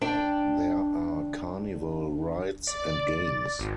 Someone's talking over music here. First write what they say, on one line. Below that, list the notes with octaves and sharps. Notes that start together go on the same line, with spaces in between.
There are carnival rides and games.
D4 D5 G5
D5
G#1